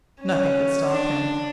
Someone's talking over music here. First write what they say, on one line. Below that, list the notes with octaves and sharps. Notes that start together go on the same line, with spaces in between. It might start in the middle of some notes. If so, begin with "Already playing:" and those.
Nothing could stop him.
C#4
D4